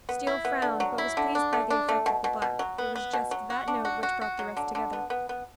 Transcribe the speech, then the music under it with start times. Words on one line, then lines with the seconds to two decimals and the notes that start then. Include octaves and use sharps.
Steele frowned; but was pleased by the effect of the black--it was just THAT note which brought the rest together.
0.09 B3
0.27 E4
0.45 B3
0.62 D3
0.80 F#3
0.98 E4
1.17 D3
1.35 D4
1.53 A3
1.70 D4
1.89 A3
2.06 B2
2.24 B2
2.42 B2
2.59 F#3
2.78 B3
2.95 B3
3.13 B2
3.31 F#3
3.50 F#4
3.68 D4
3.85 F#4
4.03 F#4
4.21 F#4
4.39 F#3
4.57 D3
4.75 D3
4.93 B3
5.10 B3
5.29 B3